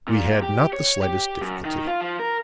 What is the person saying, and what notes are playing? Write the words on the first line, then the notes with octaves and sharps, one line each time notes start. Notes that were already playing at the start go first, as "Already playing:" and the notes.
"We had not the slightest difficulty."
A#2
G4
C#5
G4
F#2
D#3
F4
F3
A#4